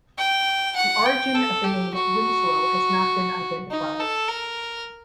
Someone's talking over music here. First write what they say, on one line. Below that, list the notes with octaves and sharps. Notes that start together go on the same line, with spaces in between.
The origin of the name Winslow has not been identified.
G5
F#5
G5
A4
G4
F#4
D#4
A4
A#4